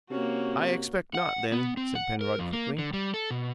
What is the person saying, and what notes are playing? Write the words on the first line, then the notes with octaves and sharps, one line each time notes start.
"I expect not, then," said Penrod, quickly.
C3 A#3 C#4 F#4
F#5
B3
C4
F#5
A#4
F2
A#3
D3
G3
A4
B2